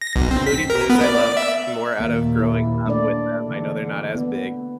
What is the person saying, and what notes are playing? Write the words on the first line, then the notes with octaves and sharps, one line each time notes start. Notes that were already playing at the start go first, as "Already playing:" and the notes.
Moody Blues, I love, more out of growing up with them. I know they're not as big,
A#6
B1
C4
B6
A#4
B3
D5
E5
D#2 A#2 A#3
E4
A3 D4 D5
D3 E3
B3